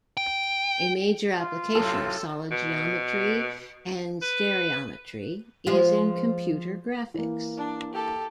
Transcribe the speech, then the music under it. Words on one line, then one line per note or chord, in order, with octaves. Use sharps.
A major application of solid geometry and stereometry is in computer graphics.
G5
F4
F#2 A2 C3 A4 E6
B2
B4
F3 G#3 F4
E3 A#3
D4
G4 A4